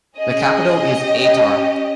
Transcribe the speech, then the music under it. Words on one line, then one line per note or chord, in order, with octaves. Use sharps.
The capital is Atar.
C#4 G#4 D#5
C#4 G4